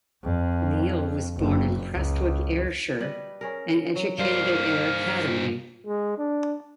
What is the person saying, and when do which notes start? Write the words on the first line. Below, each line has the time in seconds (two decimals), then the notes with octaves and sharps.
Neill was born in Prestwick, Ayrshire and educated at Ayr Academy.
0.24 F2
1.37 F#1
1.92 C#2
3.00 G3 B4 D#5
3.41 C#4 G#4 A#4
3.95 F#3
4.19 G2 G3 A#3 C5 F5
5.87 G#3
6.18 D4